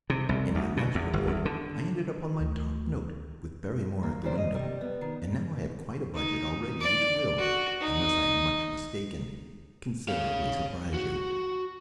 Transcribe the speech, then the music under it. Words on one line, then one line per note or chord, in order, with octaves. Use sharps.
In my last report I ended upon my top note with Barrymore at the window, and now I have quite a budget already which will, unless I am much mistaken, considerably surprise you.
C3
C2
D2
B2
E2
G1
E2
D3
D2
A#3
A#2 C#3 G3 A#3 C5 D5
D#5
C3 G3
B3
D#3
D#4
D5
F#4
D#4
C#5 F5
F#4